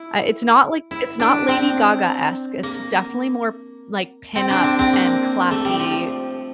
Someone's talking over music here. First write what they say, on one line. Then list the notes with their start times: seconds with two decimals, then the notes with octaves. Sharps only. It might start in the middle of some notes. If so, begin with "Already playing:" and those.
uh, it's not, like It's not Lady Gaga-esque, it's m definitely more, like, pin-up and classy.
Already playing: E4
0.91 E4
1.20 D4
1.48 C4
2.63 A#3
4.35 C4
4.50 D4
4.64 C4
4.79 C4
4.93 A#3
5.51 A3
5.65 G3
5.80 F3